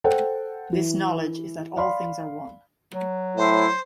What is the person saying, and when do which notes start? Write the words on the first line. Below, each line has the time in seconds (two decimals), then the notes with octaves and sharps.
This knowledge is that all things are one.
0.04 A4 C5 F#5 G5
0.73 E3
1.77 D5 F5 B5 C6
2.94 F#3
3.37 A2 E4 C5